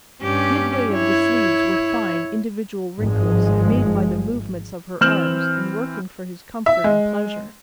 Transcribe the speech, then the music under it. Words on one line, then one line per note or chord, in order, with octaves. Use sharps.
Midway of the sleeves were fine, individual wrinkles made by the movements of her arms in working for his comfort and pleasure.
G2 C#4 G4
E4 C#5
G#1 G2 F3 G#3
E3 C4 F6 G6 E7 F#7
E5
G#3